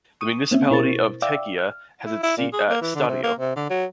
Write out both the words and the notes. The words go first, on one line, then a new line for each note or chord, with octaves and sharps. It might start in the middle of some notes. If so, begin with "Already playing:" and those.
The municipality of Tegea has its seat at Stadio.
C#6 D#6 D#7
A#3 C4 C#4 E5
B2 E4 A#4 C5 C#6 A6
D5 E5 F5 G5 D6 E6
F6
E4
E4
A#2
G#4
A#3
E3
D3
C3
A#3
C3
D3
F#3